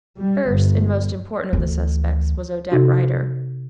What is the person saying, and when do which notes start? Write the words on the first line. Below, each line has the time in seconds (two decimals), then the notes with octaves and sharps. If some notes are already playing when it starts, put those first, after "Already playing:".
First and most important of the suspects was Odette Rider.
0.19 G3
0.50 G1
1.53 D2 E3
2.72 C3 D#4 F#4